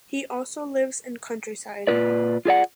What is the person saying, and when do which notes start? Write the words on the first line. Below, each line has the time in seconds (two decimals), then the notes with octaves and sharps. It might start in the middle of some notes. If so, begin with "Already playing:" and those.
He also lives in countryside.
1.87 A#2 F4 B4 D5
2.45 F4 G#4 D5 F#5